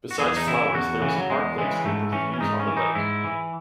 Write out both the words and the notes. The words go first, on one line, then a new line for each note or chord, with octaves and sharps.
Beside flowers there is a park landscape with views on the lake.
F#4
E2 G#4
D#4
C#3 E3 E4
E2 F#4
C#3 E3
F#3
E2 G#3
C#3 E3 G#3
G#2 A3
E3 C#4
C#4
G#2 D#4
C#4
E3
D#4
G#2 E4
E3